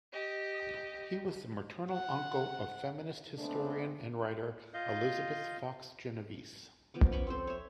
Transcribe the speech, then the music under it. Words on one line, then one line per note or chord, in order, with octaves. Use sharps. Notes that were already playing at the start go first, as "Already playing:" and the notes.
He was the maternal uncle of feminist historian and writer Elizabeth Fox-Genovese.
G4 D#5
F#5
G#3 A3 B3 C4 D4
F4 D#5 F5 G6
F3 B3 D6
C#4 B5 C#6 D6
C4 A4 C5
C#5 E5